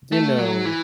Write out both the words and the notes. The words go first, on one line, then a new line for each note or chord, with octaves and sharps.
you know
A3
F#3
E3